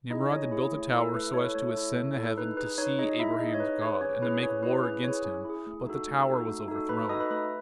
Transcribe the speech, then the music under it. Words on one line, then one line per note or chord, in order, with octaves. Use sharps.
Nimrod then built a tower so as to ascend to heaven "to see Abraham's god", and make war against Him, but the tower was overthrown.
D#4 E4 G#4 D#5
C#4 C#5
E4 G#4
A3
E4 A4
A3 B4
E4 A4 C#5
A3 C#5
E4 A4
A3
E4 A4
D#4 B4
G#4 B4
D#4 C#5
D#4 G#4 D#5
D#4 E4 E5
D#4 G#4 D#5
C#5
D#4 B4
G#4 C#5
B4
C#4 C#5
E4 G#4 B4
C#4 C#5
E4 G#4 B4
C#4 B4
E4 G#4 C#5
C#4
E4 G#4
A3
D#4 F#4 A4
A3
D#4 F#4 A4
A3
D#4 F#4 A4
A3 B4 B5
D#4 F#4 A4 D#5 D#6
B4 B5
A3 B4 B5